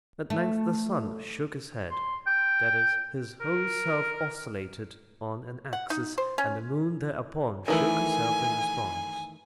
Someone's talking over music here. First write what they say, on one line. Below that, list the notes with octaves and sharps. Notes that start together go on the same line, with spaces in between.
At length the sun shook his head; that is, his whole self oscillated on an axis, and the moon thereupon shook herself in response.
A3
C6
G5
A#4
F#5
D#4
C5
C#4
D#3 E3 A3 G#5